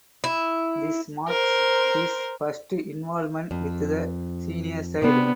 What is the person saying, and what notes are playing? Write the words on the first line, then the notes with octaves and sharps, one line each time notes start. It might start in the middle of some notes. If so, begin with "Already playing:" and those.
This marks his first involvement with the senior side.
E4
A#4 C5
F2
C3 B3 C4 D4